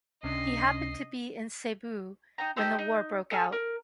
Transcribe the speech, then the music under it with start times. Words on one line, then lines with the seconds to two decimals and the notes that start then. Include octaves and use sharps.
He happened to be in Cebu when the war broke out.
0.23 C#2 C3 C#4 D4 D#5 C7
2.38 D#4 G5 A#5
2.56 D#4 G4 A4 C5
2.79 D#4
3.31 A4 G#5 A5 F6
3.52 A#4